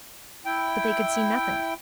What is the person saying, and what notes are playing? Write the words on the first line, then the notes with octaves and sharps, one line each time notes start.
But they could see nothing.
E4 G5